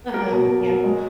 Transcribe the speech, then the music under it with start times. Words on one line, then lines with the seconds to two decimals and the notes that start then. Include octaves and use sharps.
Uh-huh, yeah.
0.14 A#3 A#4
0.31 B2
0.49 B2
0.67 F#3
0.84 G#3